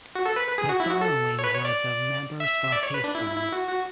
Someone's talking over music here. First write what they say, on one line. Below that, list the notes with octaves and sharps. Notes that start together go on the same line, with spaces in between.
The following were the members for Hastings.
F#4
A4
B4
B4
G#4
F#4
E4
F#4
A4
C#5
B4
C#5
D5
E5
E5
D5
C#5
B4
D4
E4
E4
E4
F#4
F#4